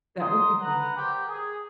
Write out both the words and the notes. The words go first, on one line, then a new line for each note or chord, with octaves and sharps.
That would be good.
A#5 C6 D#6
B4 F#5 A#5
G3 G4 A#4 C5
G#4